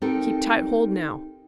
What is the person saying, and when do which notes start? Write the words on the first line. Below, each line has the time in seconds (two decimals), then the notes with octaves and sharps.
Keep tight hold now.
0.02 C4 D#4 G4 A4 A#4 G5